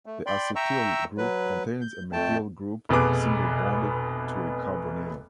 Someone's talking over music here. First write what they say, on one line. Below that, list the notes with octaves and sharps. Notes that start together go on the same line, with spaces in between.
The acetyl group contains a methyl group single-bonded to a carbonyl.
A3
D5 G5 B5 C6
E5 G5 A#5 C#6 E6
F#3 B4
G6
F2 A3 G5 A5
F1 B2 B3 G#4 D6